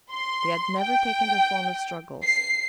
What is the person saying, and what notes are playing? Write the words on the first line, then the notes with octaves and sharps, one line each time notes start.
They had never taken the form of struggles.
C6
G5
C7